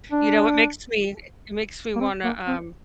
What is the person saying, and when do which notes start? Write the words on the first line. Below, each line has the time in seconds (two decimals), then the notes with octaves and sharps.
You know, it makes me it makes me wanna, um,
0.12 D4
1.96 A#3
2.00 C4
2.24 A#3
2.47 C4